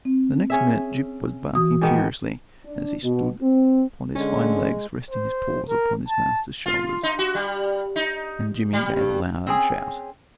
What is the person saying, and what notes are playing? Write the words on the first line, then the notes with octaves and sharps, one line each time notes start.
The next minute Gyp was barking furiously, as he stood upon his hind legs resting his paws upon his master's shoulders, and Jimmy gave a loud shout.
C4
C#4 G#4 E5
E3 F#4 D#6
G#2 D#3 B3
D4
B2
C4
D3 G#3 C#4
C5
A#4
A5
F4
D#4
F#4
G3
D#4
G3
G2
C4 C#4 G#4 G#5